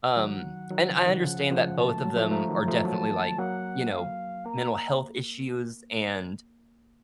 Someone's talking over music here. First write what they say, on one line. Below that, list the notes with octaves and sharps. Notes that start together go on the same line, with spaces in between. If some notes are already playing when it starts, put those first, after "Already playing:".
um, and I understand that both of them are definitely, like, you know, mental health issues and,
D#3 F#3 F#5
D#3 F#3
C#3 F3
C3 D#3
C#3 F3
C#3 F3
A#3 A5
A3
F#3
F3 A3
F3 A3 A#5
D#3 F#3
F3 A3
F#3 A#3 A5
F#3 A#3 F#5
F5
A#3 A#5